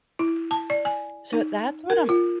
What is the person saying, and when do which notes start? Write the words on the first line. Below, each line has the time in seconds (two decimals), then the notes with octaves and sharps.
So that's what I'm
0.19 E4
0.51 A5
0.70 D5
0.85 G#5
1.33 D#4
1.90 A#4
2.09 F4